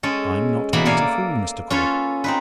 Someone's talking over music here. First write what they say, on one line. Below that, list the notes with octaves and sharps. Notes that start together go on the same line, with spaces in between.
I'm not quite a fool, Mr. Caudle.
G#3 C#4 A4
B2 E3 A#3 A#5 B5
A#3 A4 D5 F5 G#5
C#4 F4 A4 B4 C#5
C4 D#4 B4